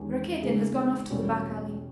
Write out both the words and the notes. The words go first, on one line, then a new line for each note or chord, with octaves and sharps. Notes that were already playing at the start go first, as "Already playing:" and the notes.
Rakitin has gone off to the back alley.
Already playing: E2 D#3 G#3 C#4 G4
C#3 G#3 D#4 G#4
E2 B2 G3 C#4